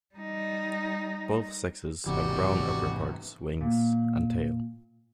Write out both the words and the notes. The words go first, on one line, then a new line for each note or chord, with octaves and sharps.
Both sexes have brown upperparts, wings and tail.
G3 D#4
G#1 C3 E3 G3 F#4
A#2